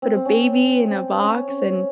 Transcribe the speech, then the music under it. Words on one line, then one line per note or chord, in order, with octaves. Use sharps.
put a baby in a box and
C4
C4
C#4
C4
C4
C#4
C#4